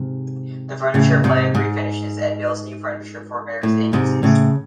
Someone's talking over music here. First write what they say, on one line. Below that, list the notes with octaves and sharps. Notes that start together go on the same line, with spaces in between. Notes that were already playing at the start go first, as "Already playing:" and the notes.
The furniture plant refinishes and builds new furniture for various agencies.
Already playing: G#2 C3
A2 C#3
G#2 C3
G#2
A2
G#2 C3
A2 C#3